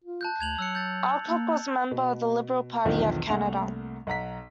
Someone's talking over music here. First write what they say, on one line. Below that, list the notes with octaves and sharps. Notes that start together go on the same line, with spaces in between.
Alcock was a member of the Liberal Party of Canada.
F4
A5 F#6 G6
D2 G#6 F7 F#7
F#3 E6 F#6 C#7
G6 A6
A#3
B2
B1 E2 D3 D#3 F3
C2 A3 A#3 F#5 F7
B1 F#5 A#5 B6